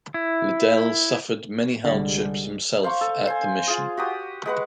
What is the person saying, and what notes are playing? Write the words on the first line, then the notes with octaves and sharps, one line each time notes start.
Liddell suffered many hardships himself at the mission.
E4
C2 D3 G3 G#3
C5 F5 C6 C#6
A4
C5 G#5
F4 G#4
F#4 G4 D#6
G#3 B4 F#5